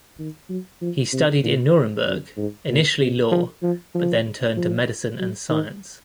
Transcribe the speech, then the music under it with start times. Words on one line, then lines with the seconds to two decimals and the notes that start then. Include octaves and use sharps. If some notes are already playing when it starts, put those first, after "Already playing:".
He studied in Nuremberg, initially law, but then turned to medicine and science.
0.19 D#3
0.49 F#3
0.81 F3
1.13 C3
1.44 A#2
2.07 F#2
2.37 G#2
2.69 A#2
3.01 C3
3.32 F3
3.63 F3
3.94 F3
4.57 F3
5.19 F#3
5.50 D#3